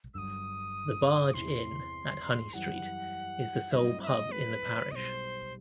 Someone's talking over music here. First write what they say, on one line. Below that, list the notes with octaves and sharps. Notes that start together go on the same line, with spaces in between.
The Barge Inn at Honeystreet is the sole pub in the parish.
G1 G2 F#3 D#6 E6
E2 C3 E3 C6
F#2 E3 G3 F#5
G2 F#3 A3 C4 E4 D#5 E5
E5
D#5
B4
B1 B2 G3 C5 D#5